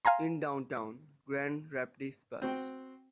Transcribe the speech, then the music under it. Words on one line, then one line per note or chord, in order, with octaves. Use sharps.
In downtown Grand Rapids, Bus.
F5 G#5 A#5 C6
C4 F#4 G5